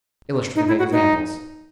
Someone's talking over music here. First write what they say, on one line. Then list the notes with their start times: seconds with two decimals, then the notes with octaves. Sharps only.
Illustrative examples.
0.56 D#4
0.68 E4
0.79 F#4
0.92 D#4